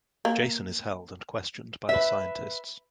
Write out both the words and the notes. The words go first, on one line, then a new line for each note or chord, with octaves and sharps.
Jason is held and questioned by the scientists.
A#3
B4 E5